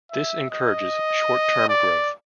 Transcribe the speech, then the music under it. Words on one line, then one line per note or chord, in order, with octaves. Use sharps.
This encourages short-term growth.
E5
D#5
D5